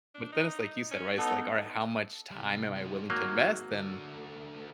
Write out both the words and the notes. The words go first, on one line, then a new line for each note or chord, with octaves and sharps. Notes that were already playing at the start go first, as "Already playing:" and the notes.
but then it's like you said, right it's like, "All right, how much time am I willing to invest and"
D4
D#4
C#4
B3 D#4 A4
C3 G3
G#3 C4
F#3 A#3
D3 A3